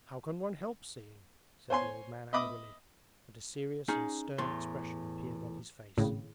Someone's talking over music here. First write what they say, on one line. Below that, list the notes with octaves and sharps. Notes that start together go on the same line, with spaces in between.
'How can one help seeing?' said the old man angrily, and a serious and stern expression appeared on his face.
C5 C#5 G#5 C6
D#5 E5 B5 D6 D#6
C#4 D#4 G#4
E2 A2 C6
G#1 A2 C#3